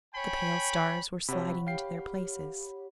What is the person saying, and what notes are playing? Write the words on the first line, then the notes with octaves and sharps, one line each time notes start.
The pale stars were sliding into their places.
C#5 G5 G#5 B5
C3 F#4 C#5 F#5 B5
G4 F5 G5 C7